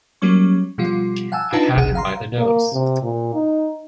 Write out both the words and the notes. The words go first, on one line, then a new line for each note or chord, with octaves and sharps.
I have him by the nose!
F#3 G3 A#3 C#4 C#6
B2 F3 G3 F4
F5 F#5 G#5 A5 E6
D4 D#4 F4 B4 A5 A#5
G1 C#2 C3 G#4 F#5
F5 A#5 C6
A#3
C3
A#2
D#4